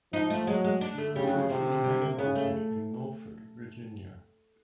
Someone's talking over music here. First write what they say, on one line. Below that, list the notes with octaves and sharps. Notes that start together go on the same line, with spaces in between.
She was originally homeported in Norfolk, Virginia.
F3 D#4
A3
F#3 G#3
G#3
D4
A3
C#3 G3
F#3
F3
C3 F3
G3
A#3
C#3 B3
A3